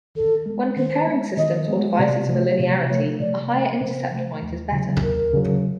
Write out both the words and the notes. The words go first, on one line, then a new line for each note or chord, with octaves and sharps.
When comparing systems or devices for linearity, a higher intercept point is better.
D#3 A4
G#3 B3
D#3 C5
G#3 B3
D#3 D#5
G#3 B3
C3 D5
F3 A3
C3 C#5
F3 A3 C#5
C3 D5
F3 A3
C3 C5
F3 A3
D#2
C#3 F#3
D#2 A#4
C#3 F#3